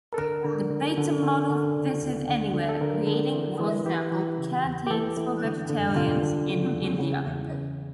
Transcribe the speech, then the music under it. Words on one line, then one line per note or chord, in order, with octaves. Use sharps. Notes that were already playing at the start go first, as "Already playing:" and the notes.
The Bata model fitted anywhere, creating, for example, canteens for vegetarians in India.
A4
D3 A#4
D3
D3
D3
D3
D3
C#3
D2
D3
D3
A4
D3 A#4
D3
E3
E3
E3 G4
E3
C#3
E2
G4
E3 A4
E3
D3
D3
D3 F4
D3
C#3
E2
C#3
E2
C#3